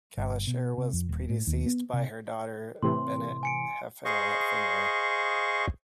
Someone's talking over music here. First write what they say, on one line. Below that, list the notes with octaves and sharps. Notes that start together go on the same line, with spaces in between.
Calisher was predeceased by her daughter, Bennet Heffelfinger.
G1
B2
C3
F2
D#1
A2
D#2
B3
C3
A2 C3 E3 C6
G#5 C#7 D7
G#4 C5 D#5 F5 C#6